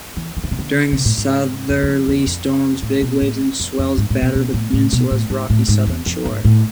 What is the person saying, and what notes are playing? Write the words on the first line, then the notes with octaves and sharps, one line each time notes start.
During southerly storms, big waves and swells batter the peninsula's rocky southern shore.
E3
E3
D3
C3
D3
C3
A2
G#2
F2
E2
F2
E2
F2
A2
B2
A2
F2
F2
G#2
A2
B2
B2
A2
A2
B2
A2
G#2
A2
G#2
E2
F2
G#2
A2